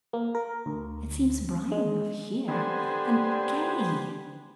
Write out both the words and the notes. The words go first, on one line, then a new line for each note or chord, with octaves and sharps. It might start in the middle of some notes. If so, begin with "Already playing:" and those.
It seems bright enough here, and gay.
A#3
A#4
D2
G#3
D3 B3 G4 C5 G#5